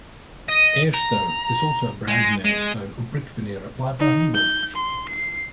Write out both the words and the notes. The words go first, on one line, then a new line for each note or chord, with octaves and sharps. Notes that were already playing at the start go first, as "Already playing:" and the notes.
"Airstone" is also a brand name stone or brick veneer applied by homebuilders.
D#5
A#5
G#3
G#3
D#4
G6
C6
C7